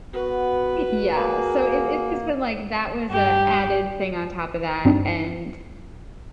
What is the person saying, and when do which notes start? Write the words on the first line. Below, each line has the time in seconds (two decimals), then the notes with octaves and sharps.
Yeah. So it it's just been like that was a added thing on top of that, and
0.13 B3 F#4 B4
1.14 A#3 G#4
3.10 G2 G4
4.85 G2 C4 D4 D#4